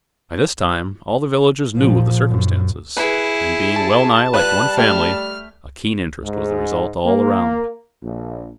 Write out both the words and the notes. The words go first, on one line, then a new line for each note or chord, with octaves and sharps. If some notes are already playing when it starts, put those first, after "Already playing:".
By this time all the villagers knew of the circumstances, and being wellnigh like one family, a keen interest was the result all round.
A#2 F3
F#2
E4 G#4 B4
A5
G3 F4 B4 F#6
A3 G4 F6
G#2
A#3
A#1